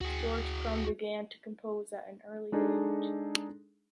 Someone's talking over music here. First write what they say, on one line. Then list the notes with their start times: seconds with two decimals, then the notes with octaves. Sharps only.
George Crumb began to compose at an early age.
0.01 D2 F#4 G#4
2.52 G#3 D4 D#4 G#4 A4